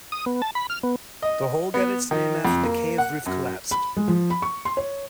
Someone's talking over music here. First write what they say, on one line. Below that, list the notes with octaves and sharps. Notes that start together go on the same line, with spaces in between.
The hole got its name after the cave roof collapsed.
D#6
B3
A5
B5
F6
B3
D#5
B3
D#3
F2
A#3
F#5
F#2
B5
G#3
F3
B5
C#6
C6
C#5